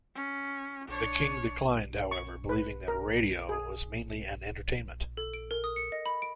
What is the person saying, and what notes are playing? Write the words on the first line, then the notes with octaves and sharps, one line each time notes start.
The King declined, however, believing that radio was mainly an entertainment.
C#4
D4 C#5
C#6
B4
A#4
G#4
A4
D7
A#4
D#6
C#7
D#5
B5
D7